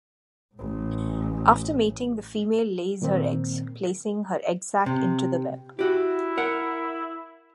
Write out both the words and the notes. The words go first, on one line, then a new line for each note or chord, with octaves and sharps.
After mating, the female lays her eggs, placing her egg sac into the web.
A1 A2
A#2 D#3 A#3 C4
C3
E4 F#4 G4
A#4 F#5